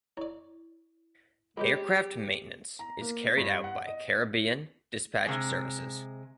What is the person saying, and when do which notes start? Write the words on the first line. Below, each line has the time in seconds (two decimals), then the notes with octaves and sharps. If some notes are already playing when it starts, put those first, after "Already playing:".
Aircraft maintenance is carried out by Caribbean Dispatch Services.
0.17 E4 C#5 D5
1.57 G#2 B2 G#3 F4 G4 G#4 C#5
2.79 A#5
3.01 A#3
3.37 G2
3.64 F#5
3.87 D#5
5.26 C3 G#3 G#4